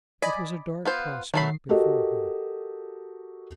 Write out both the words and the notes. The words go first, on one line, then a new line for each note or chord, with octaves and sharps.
It was a dark prospect before her.
D5 D#5 G#5 B5
B3 F4 C5
D#3 F#3 A3 B5 C7
F#4 G4 A4 A#4 D#5